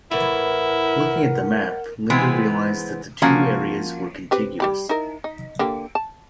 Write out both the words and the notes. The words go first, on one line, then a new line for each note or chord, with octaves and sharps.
Looking at the map, Linda realised that the two areas were contiguous.
A2 E3 E4 A#4 F#5
E3 G#3 B3 C4
F3 A#3 C#4 F#4
C4 G4 B4
G3 G4 B5
D#4 E4 A#4
D#4
D3 A#3 G4
A5